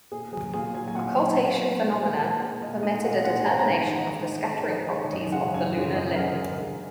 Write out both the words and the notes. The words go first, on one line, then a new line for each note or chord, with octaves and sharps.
Occultation phenomena permitted a determination of the scattering properties of the lunar limb.
A#2 G#4
F#3 G#4
A#2 G#4
F#3 G#5
G#5
A#2 F#5
F#3
A#2
F#3
A#2 C#5
G#3
A#4
G#4
A#2 A#4
G#3
A#2 D#5
G#3 D#5
A#2 F#5
G#3 F#5
G#2 A#5
A#5
D#3 G#3 G#5
G#2 F#5
D#5
D#3 G#3 F#5
G#2
D#3 G#3
G#2 D#5
D#3 G#3 C#5
F#2 D#5
C#3 G#3 F#5
F#2 G#5
C#3 G#3 F#5
F#2 D#5
C#3 G#3 A#4
F#2 G#4
C#3 G#3 A#4